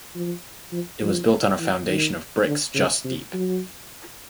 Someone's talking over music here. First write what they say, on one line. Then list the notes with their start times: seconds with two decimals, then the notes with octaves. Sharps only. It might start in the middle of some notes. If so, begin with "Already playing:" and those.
It was built on a foundation of bricks just deep.
0.15 F3
0.72 F3
1.02 F3
1.59 E3
1.89 D#3
2.46 D3
2.75 C#3
3.04 C3
3.33 F#3